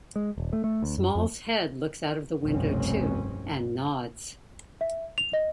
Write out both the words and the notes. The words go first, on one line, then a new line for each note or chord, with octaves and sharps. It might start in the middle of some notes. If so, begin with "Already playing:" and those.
Small's head looks out of window too, and nods.
G#3
D#1
A3
A3
D2
F#2
F2
F1 C2 G2 B2 C4 C#4
E5
F7
D#5